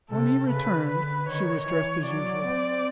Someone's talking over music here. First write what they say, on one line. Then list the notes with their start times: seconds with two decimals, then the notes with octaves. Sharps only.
When he returned she was dressed as usual.
0.11 C3 A4
0.50 C#3 B4
0.89 D3 B4
1.28 D#3 C#5
1.67 E3 C#5
2.07 F#3 D5
2.46 C4